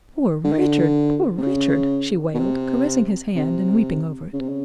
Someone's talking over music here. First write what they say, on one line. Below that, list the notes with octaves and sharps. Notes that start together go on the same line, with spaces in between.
"Poor Richard, poor Richard!" she wailed, caressing his hand and weeping over it.
D3
D#3
D3
C3
C#3
B2
C3
C3
C#3
C3
C#3